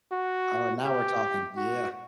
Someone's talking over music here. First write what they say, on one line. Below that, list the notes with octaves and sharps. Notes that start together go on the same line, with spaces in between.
Oh, now we're talking, yeah.
F#4
G4
F#4